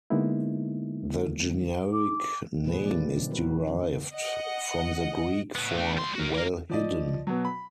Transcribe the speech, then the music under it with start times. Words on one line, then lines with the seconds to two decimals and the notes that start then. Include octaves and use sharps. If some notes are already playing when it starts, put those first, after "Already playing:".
The generic name is derived from the Greek for "well hidden".
0.10 D3 G#3 A#3 B3 D#4 E4
1.92 D6
2.65 A#2 D3 G3 B3 G#4 B4
2.81 E3 G#3 A#3 C4 D5
2.98 A3
3.15 A#2 D#3 F3 C4
3.31 F#4 A#4 B4
3.67 D3 D#3 F3 C4 C#4
4.15 D#5 F#5
5.55 A2 B3
5.77 A3 D4
5.97 G3 C6
6.15 F#4 A#4
6.35 A#3 A#4
6.70 F3 D5 D#5
7.27 B2 F#3
7.45 B5